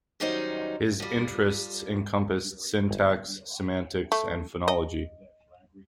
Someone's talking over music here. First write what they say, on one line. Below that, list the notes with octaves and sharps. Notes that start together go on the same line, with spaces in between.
His interests encompassed syntax, semantics and phonology.
D#3 F#3 G3 C#4 D#4 C5
F3 G3
G1
A3
D#5